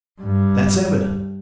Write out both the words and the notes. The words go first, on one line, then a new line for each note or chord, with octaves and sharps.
That's evident.
G2